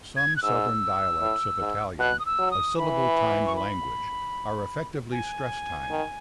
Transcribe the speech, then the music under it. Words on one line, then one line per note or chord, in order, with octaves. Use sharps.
Some southern dialects of Italian, a syllable-timed language, are effectively stress-timed.
G#6
F#6
G#2 E6
A2
G#2
B2 F#6
D#6
E6
F#3
D#6
E3 B5
C#6
B5
G#5
D#3